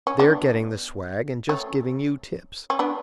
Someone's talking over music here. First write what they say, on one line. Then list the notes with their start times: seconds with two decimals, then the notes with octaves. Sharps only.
They're getting the swag, and just giving you tips.
0.07 C#4
0.19 B3 D4
1.49 A3 C#4
2.70 C#4
2.79 B3 D4